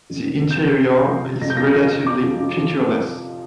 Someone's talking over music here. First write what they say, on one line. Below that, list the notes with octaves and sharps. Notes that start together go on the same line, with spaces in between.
The interior is relatively featureless.
F2
F1
F2
G6
F1 A#6
C3 C7
C3
F3
C3
F2 A#6
G6
F3 A#6
F3
F2
F2 D6
F3
F3
F3